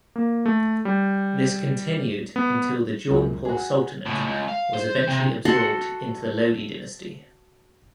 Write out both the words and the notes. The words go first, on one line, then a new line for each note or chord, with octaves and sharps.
This continued until the Jaunpur Sultanate was eventually absorbed into the Lodi dynasty.
A#3
A3
G3
B3
C#2 F#2
F#4 G#4
C#2 A2
C#2
F5
C5
C3
F#4 A4 F#5 C6